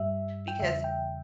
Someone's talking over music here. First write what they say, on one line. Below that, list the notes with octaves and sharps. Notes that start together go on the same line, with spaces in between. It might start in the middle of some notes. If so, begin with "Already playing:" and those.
because he
Already playing: G2 G3 E5
G5
E2 C#3 G3 E5
E5
G5